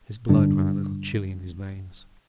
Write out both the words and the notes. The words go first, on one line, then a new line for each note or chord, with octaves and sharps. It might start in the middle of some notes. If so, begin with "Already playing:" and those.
His blood ran a little chilly in his veins.
G2 D3